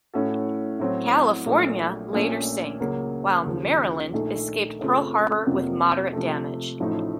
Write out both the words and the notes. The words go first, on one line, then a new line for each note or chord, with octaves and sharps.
"California" later sank, while "Maryland" escaped Pearl Harbor with moderate damage.
A2 A3 C#4 F#4 A4
A2 F#3 C4
A#1 A#2 F#3 A3
A#1 A#2 A3 C#4 A4
C#2 C#3 F#3 A#3
D#2 C#3 F3
A#1 A#2 A3 D#4 A4
F#2 C#3 A3 C4 F4
F2 C3 F#3 A#3 F4
C3 F3 A3
A1 A2 F3 A3 D#4